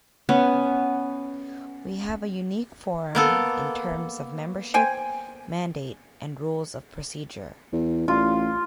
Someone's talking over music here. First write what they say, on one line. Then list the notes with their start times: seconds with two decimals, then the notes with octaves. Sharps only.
We have a unique forum in terms of membership, mandate and rules of procedure.
0.29 B3 C#4 F#5
3.15 A#3 B3 A4
4.74 C5 G5 G#5
7.73 E2
8.08 A1 F4